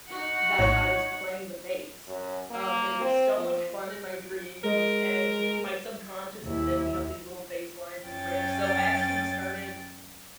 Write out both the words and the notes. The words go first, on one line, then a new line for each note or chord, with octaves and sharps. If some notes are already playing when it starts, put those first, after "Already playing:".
that I was playing the bass. Um, and it was so much fun in my dreams and my subconscious is making up these little baselines and riffs. So, I actually started
D#4 F#4 F#5
A#1 A2 C#5 C#6
F#2
A#3
C4
F3
G#3 A#4
D#2 E4
F#2 C#4 G5 A6